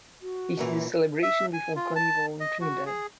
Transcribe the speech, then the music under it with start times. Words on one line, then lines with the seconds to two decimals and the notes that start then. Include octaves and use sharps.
This is the celebration before Carnival in Trinidad.
0.22 F#4
0.57 F#2 A#2 E3
1.23 E5
1.54 G#5
1.76 F4
1.96 A5
2.40 D#5
2.61 F#4
2.86 G#4